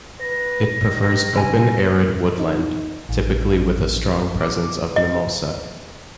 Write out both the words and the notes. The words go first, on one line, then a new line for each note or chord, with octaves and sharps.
It prefers open arid woodland, typically with a strong presence of mimosa.
B4 A#6
D#3
C2 G#5
D#4
A1
D6
D#5